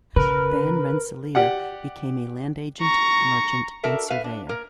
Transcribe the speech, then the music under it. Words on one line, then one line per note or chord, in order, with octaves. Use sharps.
Van Rensselaer became a land agent, merchant, and surveyor.
C#3 A#4 B4
G4 D5 F#5
A#5 C#6
D4 F#4 A4 A#4 E5
B4 E5 F5
D4
A#3 A#4